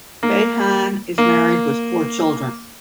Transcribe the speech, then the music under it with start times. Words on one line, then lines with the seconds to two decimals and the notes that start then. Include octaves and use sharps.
Behan is married with four children.
0.23 A#3
1.18 A#3